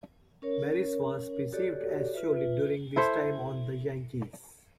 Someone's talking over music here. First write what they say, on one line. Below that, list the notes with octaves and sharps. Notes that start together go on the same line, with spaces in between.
Maris was perceived as surly during his time on the Yankees.
C#4 A#4 C#5
F#4 G4 A4 C#5 D5
F4 B4 E5
E4 A4 C5 E5